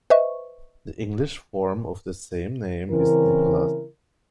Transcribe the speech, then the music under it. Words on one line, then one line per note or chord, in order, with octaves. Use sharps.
The English form of the same name is Nicholas.
B4 C5 D#5 E5 C#6
C#3 E3 C4 C#4 E4 A#4